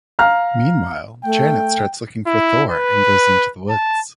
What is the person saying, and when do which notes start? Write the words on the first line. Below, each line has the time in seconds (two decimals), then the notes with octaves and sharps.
Meanwhile, Janet starts looking for Thor and goes into the woods.
0.19 F5 A#5 F6
1.24 A3 G5
2.27 E4
2.71 B4
3.70 A5